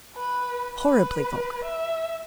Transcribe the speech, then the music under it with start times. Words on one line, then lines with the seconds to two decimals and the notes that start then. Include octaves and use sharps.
Horribly vulgar!
0.16 B4
0.78 B4
1.64 E5